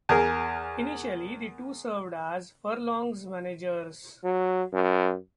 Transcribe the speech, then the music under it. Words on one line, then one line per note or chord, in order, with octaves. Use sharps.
Initially, the two served as Furlong's managers.
E2 G#4 A#4
F#3
F#2